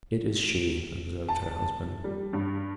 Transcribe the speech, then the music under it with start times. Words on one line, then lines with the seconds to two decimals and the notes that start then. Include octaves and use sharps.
"It is she," observed her husband.
1.29 A5
2.04 G3
2.33 G2